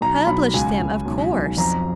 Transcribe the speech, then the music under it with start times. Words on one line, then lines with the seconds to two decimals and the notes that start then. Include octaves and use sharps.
"Publish them, of course."
0.01 B1 A#5
0.27 B1 B5
0.54 C#2 G#5
0.80 C#2
1.06 B1
1.32 B1
1.57 F2 A#5